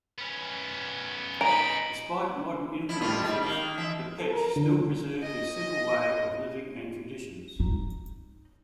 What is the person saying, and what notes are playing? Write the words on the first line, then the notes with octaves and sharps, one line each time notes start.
Despite modern influences the Pech still preserve their simple way of living and traditions.
B3 C#4
D#4 A#5 B5 D7
F3 E4
D#3 G3 F4
G#2 G3
D#3 A#3
E3 E5
A4
A#4
D3
D#5
D#4